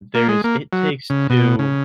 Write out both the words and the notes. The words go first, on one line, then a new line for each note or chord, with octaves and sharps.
There's, It Takes Two.
A#3
G#3
A#3
F#3
C#3
B2
C#3